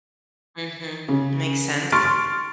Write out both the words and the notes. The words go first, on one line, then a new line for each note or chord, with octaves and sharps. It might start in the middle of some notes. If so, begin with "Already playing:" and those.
Mhm. Makes sense.
C#3
C6 C#6 F6 A6 D7